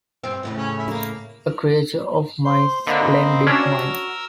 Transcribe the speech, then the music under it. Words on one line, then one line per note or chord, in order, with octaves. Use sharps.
A creature of my splendid mind.
G2 C4
E2 A2 C#3
C#4
E4 B5
A#3
C5 C6
D3 A#3 C4 D#5 B5
C#4 D4 F#4 A#4 E6